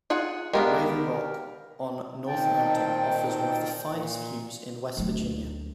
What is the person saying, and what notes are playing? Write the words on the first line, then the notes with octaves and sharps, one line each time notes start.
Raven Rock, on North Mountain, offers one of the finest views in West Virginia.
F4 G#4 F#5
G#3 B3 D4 G4 A#4 F5
A#2 D#3 C4 G5 A5
A#2
D2 F#3